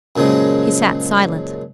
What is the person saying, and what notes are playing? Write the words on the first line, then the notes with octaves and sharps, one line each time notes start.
He sat silent.
F#2 A#2 C#3 F3 G#3